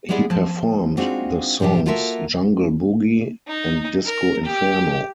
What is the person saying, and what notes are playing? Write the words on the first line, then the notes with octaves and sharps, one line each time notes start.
He performed the songs "Jungle Boogie" and "Disco Inferno".
G3 G#3 B3 E4 G#4 D5
F3 A5
G#3 C4 D4 D#4 F4 F#4
G#2 C3 F3 D4 G4
A#3 F4 F#4 A4 A#4 E5
D#4
A#4
G4